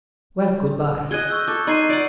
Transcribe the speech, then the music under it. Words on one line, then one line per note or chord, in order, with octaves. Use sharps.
Well, good-by.
G#4 D#5 F#6 G#6 G7
C#6 E6 G6
A4 D6
D#4 G#5 C6 C7 D#7
D5 F#5